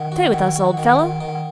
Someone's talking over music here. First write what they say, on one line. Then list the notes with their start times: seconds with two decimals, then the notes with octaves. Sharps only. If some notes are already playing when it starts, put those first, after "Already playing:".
"Stay with us, old fellow."
Already playing: D#3 F#5
0.12 F#4
0.33 D#3
0.56 F#4
0.77 D#3
0.99 D#3
1.21 D#3